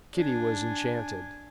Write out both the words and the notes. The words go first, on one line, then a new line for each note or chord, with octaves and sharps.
Kitty was enchanted.
D4 G#5